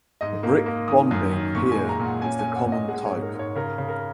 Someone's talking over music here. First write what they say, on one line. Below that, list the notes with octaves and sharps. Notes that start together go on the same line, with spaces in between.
The brick bonding here is the common type.
G#2 D#5
A#3
A#3
D#3 D#6
F#2
D#3
A#2 C#6
G#5
G#3
A#5
A#2
F#5
C#4 G#5
G#5
C#4
F#5
A#2
D#5
G#3 F#5
G#2 C#5
A#4
G#2
C#5
C#3 A#4
C#3
A#4